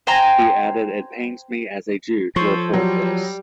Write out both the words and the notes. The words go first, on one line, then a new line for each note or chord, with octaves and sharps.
He added "It pains me as a Jew to report this".
C5 G5 G#5 A#5
F3 A4 C5 C#5
F#3 G3